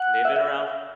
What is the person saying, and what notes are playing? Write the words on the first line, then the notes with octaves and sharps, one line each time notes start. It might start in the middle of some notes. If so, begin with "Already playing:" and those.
And they've been around
Already playing: F#5
E5
E5